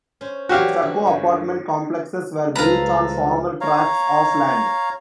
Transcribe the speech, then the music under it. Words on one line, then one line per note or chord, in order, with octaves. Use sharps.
Stucco apartment complexes were built on former tracts of land.
C#4 C5
E3 F#3 G3 F#4 G4 F5
D3
F#2
C#2 F3 G3 A4 B4 F5 A#5
C#5 F5 A#5